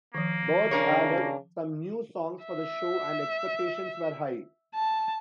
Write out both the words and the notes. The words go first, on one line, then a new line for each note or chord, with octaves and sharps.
Bart added some new songs for the show and expectations were high.
D#3 F3 A#3
C#3 D4 A#4 C#5
E5
A5